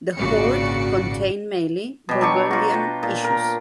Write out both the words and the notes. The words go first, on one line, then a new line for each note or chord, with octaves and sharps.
The hoard contained mainly Burgundian issues.
G#1 A#2 C#3 F#4 D5 C#7
B2 G3
F#3 D4 G4 C#6
F4 F#4
G5
A#2
A#4